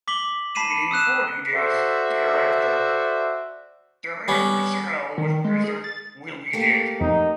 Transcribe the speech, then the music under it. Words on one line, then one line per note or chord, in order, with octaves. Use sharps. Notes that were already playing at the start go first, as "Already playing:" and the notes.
Within forty days thereafter the man whose shadow was measured will be dead.
D6 B6 F#7 G7
A5 B5 B6 C7 D#7 E7
D#6 E6 F#6 E7
F#4 A4 C5 D5 E5
G3 B3 C#4
D#3
G#3
G#4
A6
A3 A#3 G4
F2 D#4